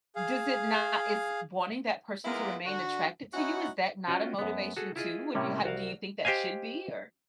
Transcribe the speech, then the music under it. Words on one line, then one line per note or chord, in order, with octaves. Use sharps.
does it not is wanting that person to remain attracted to you, is that not a motivation too? What do you have do you think that should be or
G#4 F5
G#3 A#3 B3 E4 F4 A#4
D3 F#4
C#4 D#4 E4 F#4 F#5
C#4 F4 F#4 D#5 G5
F#2 B3
F#4 G#4 A4
E4 F4 G#4 D#5
A2 C3 G3 A#3 C#4
C2 F#4 A#4 F5
G4 C5 D#5 F5 G#5